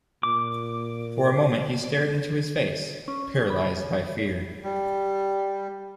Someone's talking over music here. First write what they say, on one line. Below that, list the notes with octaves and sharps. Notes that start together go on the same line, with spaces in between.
For a moment he stared into his face — paralysed by fear.
A#2 D6
C#4
B5
G3